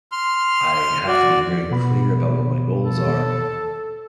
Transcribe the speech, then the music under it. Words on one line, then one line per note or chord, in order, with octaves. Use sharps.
I have to be very clear about what my goals are,
C6 F6
F#4 D5
B2 B3 B5
A4